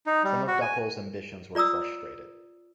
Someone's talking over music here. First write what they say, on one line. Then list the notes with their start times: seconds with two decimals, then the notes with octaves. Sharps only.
Some of Dapol's ambitions were frustrated.
0.07 D#4
0.24 G3
0.47 F#4
0.61 G#5
1.55 F4 D5 A#5 D#6 E6